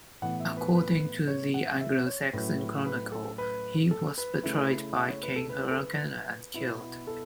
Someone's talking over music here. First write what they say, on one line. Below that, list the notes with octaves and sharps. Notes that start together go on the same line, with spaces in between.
According to the "Anglo-Saxon Chronicle", he was betrayed by King Harthacnut and killed.
A2 E3 B3 F#5
E5
B4
B4
C#5
F#5
E5
C#5
A2 F#3 C#4 E4 B4
B4
A4
B4
A4
B4
C#3 A3 E4
E5
C#5
B4
A4
B4
A4
B4
B2 B3 E4
A4